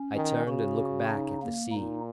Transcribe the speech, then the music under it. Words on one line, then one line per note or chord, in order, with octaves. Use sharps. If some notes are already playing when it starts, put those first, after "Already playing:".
I turned and looked back at the sea.
Already playing: C#4
D#3
C#3 F#4
D#4
A#3
A#2 D#4